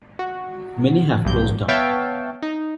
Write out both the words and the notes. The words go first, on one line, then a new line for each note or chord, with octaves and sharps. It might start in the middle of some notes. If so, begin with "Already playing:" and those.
Many have closed down.
F#4
B1 G2 G6
B3 C#5 E5 F5 G5 A5
D#4